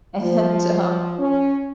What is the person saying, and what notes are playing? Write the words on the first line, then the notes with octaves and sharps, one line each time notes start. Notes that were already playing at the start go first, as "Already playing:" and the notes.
and, um
F3
C#4